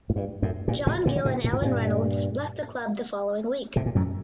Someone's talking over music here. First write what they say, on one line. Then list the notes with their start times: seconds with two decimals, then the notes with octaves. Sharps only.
John Gill and Alan Reynolds left the club the following week.
0.10 A2
0.16 G2
0.42 F#2 A2
0.68 G2 A#2
0.87 A2 C3
1.06 A#2 D3
1.16 D3
1.25 A2 C3
1.44 A#2
1.53 A2
1.62 G2 A#2
3.76 A2 C3
3.86 A#2
3.95 F#2 A2